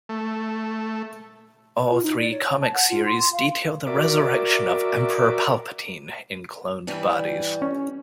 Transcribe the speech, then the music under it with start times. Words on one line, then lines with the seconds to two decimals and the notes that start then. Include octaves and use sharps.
All three comic series detail the resurrection of Emperor Palpatine in cloned bodies.
0.09 A3
1.91 F4
2.03 D#4
2.17 D5
2.32 C#5
2.48 C#5
2.61 A5
2.74 F#5
2.90 F4
3.06 C6
3.19 C6
3.33 F5
3.87 F#4 A#4 D5 E5 D6
6.87 G2 E3 G3
7.62 C#4